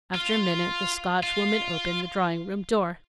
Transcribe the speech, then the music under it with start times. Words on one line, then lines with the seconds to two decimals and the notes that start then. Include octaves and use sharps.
After a minute the Scotchwoman opened the drawing-room door.
0.15 F4
1.23 F4